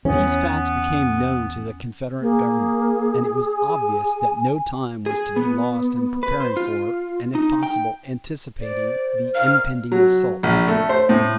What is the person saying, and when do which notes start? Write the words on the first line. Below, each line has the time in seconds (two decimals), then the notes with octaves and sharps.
These facts became known to the Confederate Government, and it was obvious that no time was to be lost in preparing for, and if possible anticipating the impending assault.
0.05 E2 B3 C#4
2.21 A#3 G#4
3.55 G#5
5.06 G#4
5.36 B3
6.23 B4
6.40 C5
6.57 F4
7.35 D#4
7.63 G5
8.60 C5 D5
9.35 D#3 D5 F5 F6
9.92 F#3
10.43 A#1
10.68 A3
10.89 C5
11.09 A2